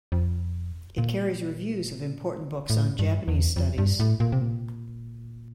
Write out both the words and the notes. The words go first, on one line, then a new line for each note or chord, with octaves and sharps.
It carries reviews of important books on Japanese studies.
F2
A#2
A2
G2
E2
F2
G2
A2
A#2
C3
A#2